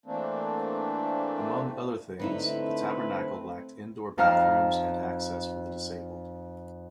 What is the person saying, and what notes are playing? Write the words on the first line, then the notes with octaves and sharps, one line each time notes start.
Among other things, the Tabernacle lacked indoor bathrooms and access for the disabled.
E3 A3 A#3 C4 D4
D3 A3 C4 D#4 E4 B4
F2 D#4 F5 A#5 F6